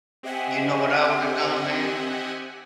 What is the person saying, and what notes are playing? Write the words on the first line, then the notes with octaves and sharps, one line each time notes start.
You know what I would have done, man?
C4 G4 D#5 E5 F#5 G#5